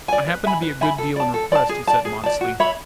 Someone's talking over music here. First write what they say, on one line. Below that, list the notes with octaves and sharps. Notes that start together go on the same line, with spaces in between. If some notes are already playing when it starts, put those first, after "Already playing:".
"I happen to be a good deal in request," he said modestly.
D5 G#5
B4
E5 G#5 B5
B4
E5 G#5 B5
A4
D5 A5
A4
D5 A5
G#4
D5 A5
G#4
D5 A5
F#4
C#5 E5 B5